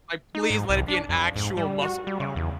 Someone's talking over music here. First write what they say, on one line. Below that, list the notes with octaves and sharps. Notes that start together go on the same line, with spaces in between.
Like, "Please let it be an actual muscle car."
D#4
G#2
C2
D4
F2
G#2
G3
F#4
G3
C#3
E2